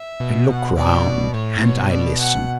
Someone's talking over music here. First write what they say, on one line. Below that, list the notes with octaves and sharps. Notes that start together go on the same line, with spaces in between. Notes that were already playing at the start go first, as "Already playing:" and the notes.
I look round and I listen.
Already playing: E5
B2
F#5
B2 D5
A2 C#5
B2 C#5
D5
F#5